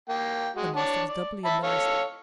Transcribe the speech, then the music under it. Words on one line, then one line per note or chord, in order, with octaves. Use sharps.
The master was doubly embarrassed.
A#3 G5
G#3 F#4
D4 C#5 A5
D5
E5 A5 B5
A4 C#5 F5